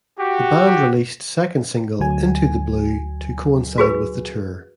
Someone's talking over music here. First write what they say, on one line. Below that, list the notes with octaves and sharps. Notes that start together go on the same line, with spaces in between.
The band released second single "Into the Blue" to coincide with the tour.
F#4 G4
D2 F#3 G#5
F#4 G#4 B4